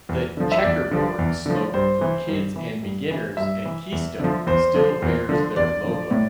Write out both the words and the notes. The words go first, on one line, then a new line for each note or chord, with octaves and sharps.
The "Checkerboard" slope for kids and beginners at Keystone still bears their logo.
E2
D3 F3
E5
E2 D5
D3 F3
E2
D3 F3
G2 C5
E3
G2
E3
G2
E3
G2 E5
E3
E2
D3 F3
E2 C5
D3 F3
E2
D3 F3
E2 D5
D3 F3
A2